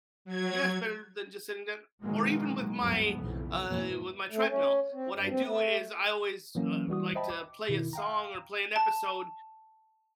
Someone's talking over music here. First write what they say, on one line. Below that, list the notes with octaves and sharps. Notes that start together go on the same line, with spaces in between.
yeah, it's better than just sitting there, or even with my, uh with my treadmill, what I do is I always, uh, like, to play a song or play an episode
F#3 G#6
B2 D#3 E3 F#3 G#3 A#3
G1 D2 G#2 F#3 A3 B3
B1 F2 C#3 E3
F2 G#2 B2 E3 A#3
A3
C#4
C4
G2
C4
A3
E3 F#3 A#3 C#4
E3 G3 F#4 D#6
C5 D#5 E5 G5 A5 B5
D6
B2 D#3 E4
F5 G5 A#5
A5